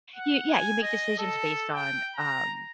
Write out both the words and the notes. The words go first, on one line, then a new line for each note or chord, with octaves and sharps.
You yeah. You make decisions based on, um,
F#5
G#5
D#5
A4
G5
A#5